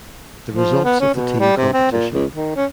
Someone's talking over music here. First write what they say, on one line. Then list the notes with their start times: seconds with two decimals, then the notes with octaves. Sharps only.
The results of the team competition.
0.53 F3
0.85 B3
1.00 C#4
1.14 B2
1.40 G3
1.57 C3
1.74 C4
1.92 A#2
2.13 C#2
2.33 D#3
2.56 C#4